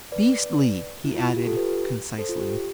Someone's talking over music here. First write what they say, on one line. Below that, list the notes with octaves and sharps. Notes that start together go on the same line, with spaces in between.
"Beastly!" he added concisely.
B4 D5
E4
F4
F4
G4
F4 A4
G4 B4
A4 C5
F4
G4
G4